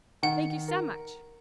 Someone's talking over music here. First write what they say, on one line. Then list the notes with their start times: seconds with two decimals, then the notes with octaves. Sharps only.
Thank you so much.
0.23 D#3 F#5
0.68 A#4